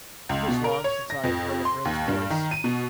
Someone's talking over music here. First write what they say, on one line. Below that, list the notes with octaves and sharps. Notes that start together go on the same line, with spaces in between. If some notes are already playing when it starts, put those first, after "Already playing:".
'It is long since I have heard a friend's voice.
C#2
B2
A#4
C#5
A#6
F2
C6
D#2
G2
D#3
D#7
B2